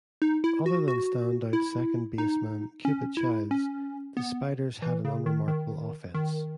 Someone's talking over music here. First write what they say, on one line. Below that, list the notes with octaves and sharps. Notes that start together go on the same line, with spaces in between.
Other than standout second baseman Cupid Childs, the Spiders had an unremarkable offense.
D#4
E4
F#4
F#4
E4
D#4
C#4
E4
C#4
B3
E3
C#3
D#3
D#3
D#3